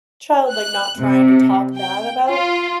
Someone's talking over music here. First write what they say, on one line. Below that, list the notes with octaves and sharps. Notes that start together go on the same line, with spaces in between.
child, like, not trying to talk bad about
F#6
C3
G5
F4